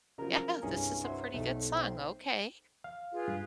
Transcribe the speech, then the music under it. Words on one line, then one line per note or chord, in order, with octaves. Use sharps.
yeah, this is a pretty good song. Okay,
C#3 F3 F#3 A#4
C2 G2 C#4 G#4
F#3 C5 E5 C6
B1 A3
C4
F5
F4 G#4 B4
G2